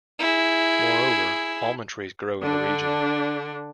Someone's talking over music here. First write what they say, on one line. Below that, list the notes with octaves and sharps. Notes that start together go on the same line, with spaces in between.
Moreover, almond trees grow in the region.
E4 G#4
D3 D4